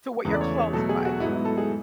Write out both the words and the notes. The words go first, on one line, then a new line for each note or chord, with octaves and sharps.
to what your clothes like.
E2 C#3 E3 A3 B4
D5
C#5
C#5
B2 F#3 A3 A4
G#4
F#4
G#2 F#3 B3 E4
E4
A4
G#4